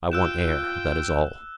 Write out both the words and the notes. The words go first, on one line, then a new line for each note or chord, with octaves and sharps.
"I want air, that is all."
F4 G5 E6 F#6 E7